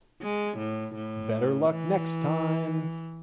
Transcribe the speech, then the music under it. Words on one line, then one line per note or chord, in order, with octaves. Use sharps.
Better luck next time!.
G#3
A2
A2
E3